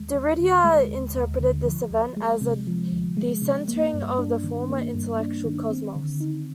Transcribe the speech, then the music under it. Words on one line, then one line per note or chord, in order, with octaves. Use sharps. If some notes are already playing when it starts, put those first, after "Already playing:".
Derrida interpreted this event as a "decentering" of the former intellectual cosmos.
Already playing: D#2 G#3
D#2
D3
G#3
D#2
D#2
D3
F3
D2
G#3
C3
F3
D2
G#3
C3
A#3
G2
D4
D#3
A#3
G2
D4
D#3
C4
D3
D#4